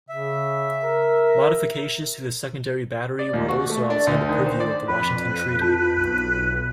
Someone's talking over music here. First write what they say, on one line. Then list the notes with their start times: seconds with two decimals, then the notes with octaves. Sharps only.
Modifications to the secondary battery were also outside the purview of the Washington Treaty.
0.09 C#3 E5
0.83 A#4
3.19 D5
3.33 D#2
3.49 F#4
3.70 A3
3.90 D4
4.07 D2
4.29 D#3
4.46 C5
4.60 D5
4.88 F2 B4 B5
5.59 F4 A5 G6
5.97 B1